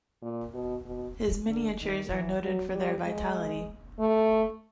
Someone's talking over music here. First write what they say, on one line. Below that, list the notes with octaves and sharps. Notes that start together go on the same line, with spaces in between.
His miniatures are noted for their vitality.
A#2
B2
B2
D3
D#3
E3
F#3
G3
G#3
A3